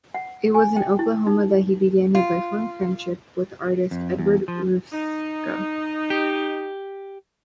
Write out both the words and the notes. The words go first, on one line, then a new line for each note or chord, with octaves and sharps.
It was in Oklahoma that he began his lifelong friendship with artist Edward Ruscha.
F#5
G#5
G5
E4
D#4
F4
F2
E2
F3
D#4
G4